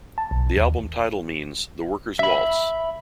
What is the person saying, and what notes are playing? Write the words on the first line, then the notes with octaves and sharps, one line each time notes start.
The album title means "The Worker's Waltz".
A5
B1
D#2
E5 B5